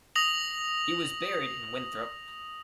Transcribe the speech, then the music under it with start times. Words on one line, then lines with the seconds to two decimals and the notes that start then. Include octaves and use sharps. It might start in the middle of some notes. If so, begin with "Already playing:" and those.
He was buried in Winthrop.
0.15 D#6 A#6 F7 F#7